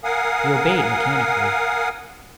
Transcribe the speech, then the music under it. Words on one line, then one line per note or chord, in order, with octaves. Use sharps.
He obeyed mechanically.
A#4 F5 F#5 G#5 D#6